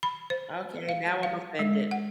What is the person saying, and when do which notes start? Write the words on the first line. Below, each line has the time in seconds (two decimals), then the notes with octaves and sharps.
Okay, now I'm offended.
0.03 B5
0.30 C5
0.89 F5
1.23 F5
1.59 G#3
1.91 F#5